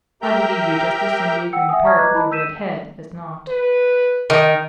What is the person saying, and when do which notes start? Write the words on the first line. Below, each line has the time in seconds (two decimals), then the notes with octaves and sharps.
"I believe you'd just as soon be a green parrot with a red head as not."
0.22 G4 A#4 E5 G5 A#5 G6
1.53 F#5 G5 E6 C#7
1.69 E5 F#5 G#5 D#6
1.83 A5 A#5 C#6 D#6 F6 G#6
1.98 B4 D#5 A#5 D6 F#6 G#6
2.14 E4 D#5 A5 B5
2.31 E6 G6 B6 D#7 E7
3.49 B4
4.30 D#3